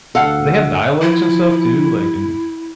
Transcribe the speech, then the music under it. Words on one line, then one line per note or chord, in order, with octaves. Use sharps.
They have dialects and stuff too, like in
D2 A4 F5 F#5
F3 E4